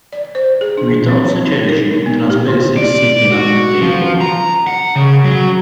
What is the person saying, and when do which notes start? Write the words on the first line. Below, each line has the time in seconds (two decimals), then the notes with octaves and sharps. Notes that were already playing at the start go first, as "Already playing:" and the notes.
Without such a regime, transparency is simply not attainable.
0.13 D5
0.35 C5
0.61 G#4
0.78 D4
1.09 C4
1.28 C#5
1.46 D#4
1.69 A#4
1.91 D#4
2.06 B3
2.30 G4
2.48 D3
2.76 D5
3.31 F#4
3.82 F3
4.21 A#5
4.67 F#5
4.96 C#3
5.24 F#3